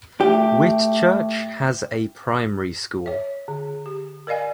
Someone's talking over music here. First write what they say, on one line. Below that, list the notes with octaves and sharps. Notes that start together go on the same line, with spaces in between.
Whitchurch has a primary school.
A3 G4
C#5 E5
D3
G4
A#4 D5 D#5 F5 G#5